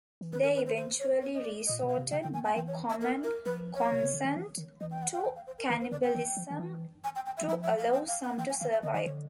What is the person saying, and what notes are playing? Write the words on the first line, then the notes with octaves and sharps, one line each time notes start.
They eventually resorted, by common consent, to cannibalism to allow some to survive.
E3
D#3 B4
A#4
B4
C5
C5
C#5
C#5
D#5
D5
D#5
A#2
B2
F5
C3
C#3 G5
D3 G5
D#3 G#5
G5
E3 G5
C#5
E5
A#4
A#4
F3 B4
C#5
C3
C#3
D3
D#3
E3
D#3
E3 D#5
G5
F#5
G5
F#5
G5
F5
C5
A#4
D#3 B4
C5
D3 D5
G5
E3
F3
D#3
E3
G#5
G5
G5
E5
E3
F3 E5
E5
F5
G5
F5
F#5
E3 G5
G#5
D#3 F5
E5
D3 D#5
D#3 D5
D3 C#5